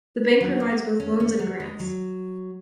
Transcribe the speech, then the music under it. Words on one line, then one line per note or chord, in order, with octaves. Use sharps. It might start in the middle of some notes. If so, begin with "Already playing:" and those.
The Bank provides both loans and grants.
F#3
B3
C#4
C#4
F#3
G#3
F#3